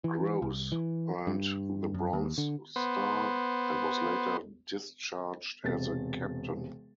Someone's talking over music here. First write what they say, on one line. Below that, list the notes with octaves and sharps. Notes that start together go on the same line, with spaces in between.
Gross earned the Bronze Star, and was later discharged as a Captain.
E3
C2
E3
G2
F#2
D#2
D3
B3 C5
E1 C3 A6